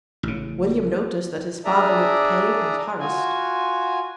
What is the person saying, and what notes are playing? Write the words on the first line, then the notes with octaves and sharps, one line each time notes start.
William noticed that his father looked pale and harassed.
A1 C#3
D4 G#4 D5 E5 A#5
F4 F#4 G#5